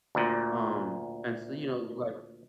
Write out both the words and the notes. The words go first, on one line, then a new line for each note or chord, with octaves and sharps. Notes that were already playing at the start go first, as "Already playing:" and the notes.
um, and so, you know, like
D2 A#2